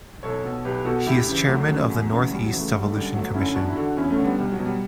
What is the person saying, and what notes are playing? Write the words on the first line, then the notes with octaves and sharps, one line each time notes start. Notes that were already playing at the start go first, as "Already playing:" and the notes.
He is Chairman of the North East Devolution Commission.
B1 A4 C#5
B2
B1 G4 B4
B2 F#4 A4
D2 E4 G4
C#3 E3
D2 F#3 A3
C#3 E3
E2
C#3 E3
E2 G3
F#3
C#3 E3
F#3 A3
G1 G3
A3
F#2 D3 G3
G1 F#3 A3
F#2 D3 C#4 E4
E2 D4 F#4
E4
D3 D4 F#4
E2 C#4 E4
A3 C#4
D3
G3 B3
B1 G3
F#3
B2
G3